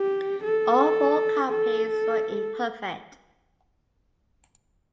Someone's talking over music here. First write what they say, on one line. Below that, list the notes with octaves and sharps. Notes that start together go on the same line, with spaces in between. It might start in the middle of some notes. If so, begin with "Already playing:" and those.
All four copies were imperfect.
Already playing: G4
A4
A4